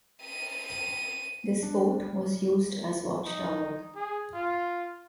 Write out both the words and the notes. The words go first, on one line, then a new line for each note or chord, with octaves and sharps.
This fort was used as watch tower.
D#7
D4
G3
D#4
G#4
F4